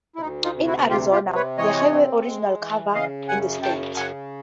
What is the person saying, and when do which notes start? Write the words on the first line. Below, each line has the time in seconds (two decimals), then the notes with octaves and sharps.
In Arizona, the highway originally covered in the state.
0.15 E4
0.21 D2 D#4
0.44 D#4 F4
0.55 C3
0.67 E4 F#4
0.90 C3 F4 G4
1.12 F4 G4
1.24 C3
1.35 B4 C#5
1.58 E3 C#5 D#5
1.92 C4
2.26 G#3
2.61 E3
2.94 C#3 D#5 F5
3.28 F#2 F#5 G#5
3.62 C#3 G5 A5
3.97 C#3 F#5 G#5